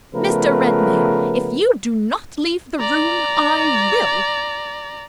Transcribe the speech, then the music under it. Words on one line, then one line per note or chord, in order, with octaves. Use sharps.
"Mr. Redmain, if you do not leave the room, I will."
C#3 F3 A3 B3 A#4 B4
D5 A#5